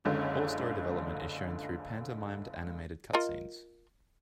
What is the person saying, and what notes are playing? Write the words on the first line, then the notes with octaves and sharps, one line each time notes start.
All story development is shown through pantomimed animated cutscenes.
F#1 C#2 D3 G#3 C#5
F4 A#4 D#5